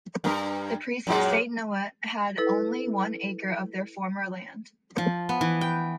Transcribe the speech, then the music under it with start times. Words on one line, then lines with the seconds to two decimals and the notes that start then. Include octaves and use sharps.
The priests of Saint Neot had only one acre of their former land.
0.24 G2 A#4
1.07 F#2 A#2 G#3
2.38 E4 A4 B4
4.98 F3
5.29 B3
5.41 E3
5.61 G5